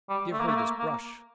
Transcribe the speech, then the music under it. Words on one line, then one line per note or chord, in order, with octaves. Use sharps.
Give her this brush.
G3
A3
A#3
A3
A#3
A#3